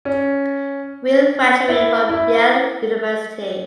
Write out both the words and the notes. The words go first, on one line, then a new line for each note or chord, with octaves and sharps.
Weil graduated from Yale University.
C#4
E4
E4